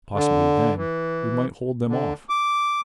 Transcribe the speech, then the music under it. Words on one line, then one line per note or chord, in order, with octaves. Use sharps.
Possibly then we might hold them off.
D3
E3
D3
D6